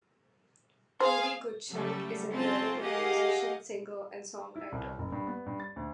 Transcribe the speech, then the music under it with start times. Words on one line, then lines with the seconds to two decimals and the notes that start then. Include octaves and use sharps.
Toby Goodshank is an American musician, singer, and songwriter.
1.00 G#4 C5 F5
1.70 C#3 F#3 G3 A3 A4
2.31 C4 C#4 F4 A5
2.80 G4 G#4 A#4 D#5 F5 F#5
4.56 E4
4.72 C2
4.99 F#1
5.12 G2
5.27 B3
5.46 G2
5.60 A6
5.76 D2